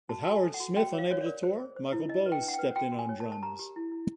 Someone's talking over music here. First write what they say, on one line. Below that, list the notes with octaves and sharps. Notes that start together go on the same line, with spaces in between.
With Howard Smith unable to tour, Michael Bowes stepped in on drums.
F#4 A5
F#4 A5
G#5
A4
F#5
F#4
F#4 G5
C#5
F5
F#4 C#5
D5
A#4
C5
G#4
C5
E4
D4 D#5
B4
G5
D4
F#5
B4 G5
F#4 G5
F#4
G#5
C#5
A5
A#4
A5
G4 A#5
G4
E4
E4